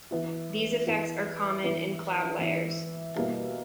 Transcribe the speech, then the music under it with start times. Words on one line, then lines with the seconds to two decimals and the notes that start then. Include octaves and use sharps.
These effects are common in cloud layers.
0.11 E3 B3 E4
0.87 E3 B3 E4
1.63 E3 B3 E4
2.39 E3 B3 E4
3.16 B2 G3 A#3 E4